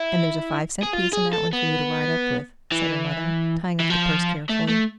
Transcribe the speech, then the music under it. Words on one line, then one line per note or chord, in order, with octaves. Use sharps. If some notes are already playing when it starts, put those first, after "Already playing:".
"And there's a five-cent piece in that one for you to ride up with," said her mother, tying up the purse carefully.
Already playing: E4
G#4
F4
G#4
A4
B3
E3
E3
F3
A3
A3